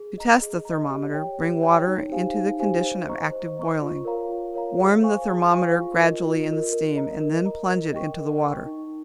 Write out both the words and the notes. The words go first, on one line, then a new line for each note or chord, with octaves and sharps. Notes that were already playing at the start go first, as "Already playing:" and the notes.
To test the thermometer, bring water into the condition of active boiling, warm the thermometer gradually in the steam and then plunge it into the water.
Already playing: G#4
D#5 A#5
G#4
A#5
D#5
G4
C#5 G5
G4
C#5 G5
D#4
G4 C5 F5 G#5
D#4
G4 C5 F5 G#5
C5
D#5 A#5 C#6
C5
D#5 A#5 C#6
F4
A#4 C#5 F5 A#5
F4
A#4 C#5 F5 A#5
G#4
C5 F5 G#5 C#6
G#4
C5 F5 G#5 C#6
F4
A#4 D#5
F4
A#4 D#5
A#4
D#5 A#5
A#4
D#5 A#5
A#4
D#5 G5 C#6
A#4
D#5 G5 C#6
D#4